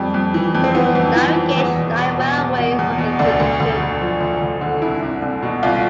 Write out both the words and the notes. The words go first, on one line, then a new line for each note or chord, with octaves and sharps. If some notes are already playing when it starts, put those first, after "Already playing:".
Narrow gauge light railways were the solution.
Already playing: F2 G3
F2
E3
F2
C4
E3 B3
F2
E3
E3
E2 B3
B2
B2
B2
E2
B2
E2
B2
D2 D4
D2
D2
D2
F3
D2
D2
D3
C2 E4
C2
C2
B2
C2 F4